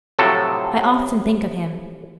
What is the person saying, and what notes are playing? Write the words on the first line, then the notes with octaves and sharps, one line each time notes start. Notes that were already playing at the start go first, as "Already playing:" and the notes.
I often think of him.
A2 C3 F3 F#3 A4